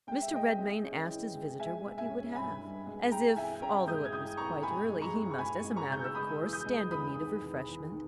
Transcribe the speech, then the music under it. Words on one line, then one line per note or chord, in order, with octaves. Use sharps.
Mr. Redmain asked his visitor what he would have, as if, although it was quite early, he must, as a matter of course, stand in need of refreshment.
G#3 G5
E5
G#3 D#5 G5
G#3
C#4
E3
G#3
G#3 E5 G#5
G#3
E5 G#5
C#4
G2 G#5 B5
G2
G#3
G#3 G5 A#5
E3 E5 G#5
C#4 G5 A#5
G#3 D#6 G6
G#6
E3 D#6 G6
E3 A#5 C#6
G#3 G#5 B5
G#3
A#5 C#6
G#3
C#6
G#3 G#5 B5
G#3
A#5 C#6
C#3 G6
E6
G#3 B5 D#6
E2
D#6 G6
G#3
E2 B5 D#6
D#3
E2
E2
D#3